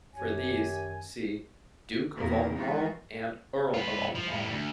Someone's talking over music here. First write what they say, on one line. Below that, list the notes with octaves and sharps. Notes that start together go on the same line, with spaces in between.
For these, see "Duke of Albemarle" and "Earl of Albemarle".
F#2 D#3 G4 C#5 G#5
E2 A#2 D#3 A#3 A#4
E3 G#3 D#4 F4 F#4
F4 B4
F3
A2 G3
D2